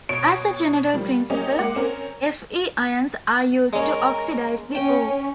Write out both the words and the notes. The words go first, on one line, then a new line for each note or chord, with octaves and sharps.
As a general principle, Fe ions are used to oxidize the ore.
B2 C#5 D7
D#3 F3 G3
F#3 A#3 C#4 G4 D#5
G#3 A#3 F#5 D6
C4 C#4 A#4
G#3 C#4 A#4
C#4 G5